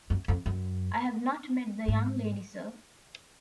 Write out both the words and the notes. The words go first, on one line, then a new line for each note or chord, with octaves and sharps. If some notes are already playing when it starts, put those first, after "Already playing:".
I have not met the young lady, sir.
F#2
F2
F#2
G#2